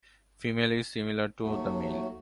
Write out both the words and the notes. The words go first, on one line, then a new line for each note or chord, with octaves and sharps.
Female is similar to the male.
D#2 F#3 A3 F#4